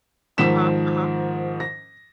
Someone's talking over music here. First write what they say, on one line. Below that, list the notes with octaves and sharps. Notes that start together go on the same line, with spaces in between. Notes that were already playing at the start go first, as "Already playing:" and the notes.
Uh-huh. Uh-huh.
G#2 D#3 F3 B6 E7
A#6